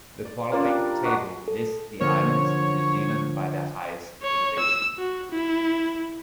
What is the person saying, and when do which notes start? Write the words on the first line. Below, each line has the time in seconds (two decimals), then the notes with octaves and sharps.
The following table lists the islands of New Zealand by their highest elevation.
0.25 D5
0.52 A#3 F4 A#4 D5
0.64 G3 D4
1.03 D4 F#4 C5 D#5
1.48 A4
2.00 D3 F3 A#3 C#5
4.23 C#5
4.59 E6
4.98 F#4
5.31 E4